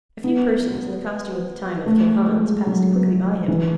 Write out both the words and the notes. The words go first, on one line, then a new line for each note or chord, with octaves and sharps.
A few persons in the costume of the time of King Hans passed quickly by him.
B3
A3
G#3
F#3
E3